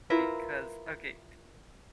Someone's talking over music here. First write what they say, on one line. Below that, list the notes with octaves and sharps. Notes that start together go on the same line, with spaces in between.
because okay
E4 F4 A#4 B4